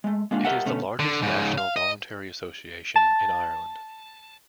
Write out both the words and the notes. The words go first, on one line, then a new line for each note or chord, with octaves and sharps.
It is the largest national voluntary association in Ireland.
G#3 A3
G#3 A#3 D4 F4
G4 A#4 D#5 E5 F#5
B2 D3 A3 C#4
D3
G#2 C#3
F5
D#5
A5